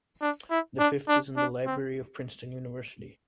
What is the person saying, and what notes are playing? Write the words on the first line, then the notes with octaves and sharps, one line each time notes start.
The fifth is in the Library of Princeton University.
D4
E4
D4
D4
D4
C4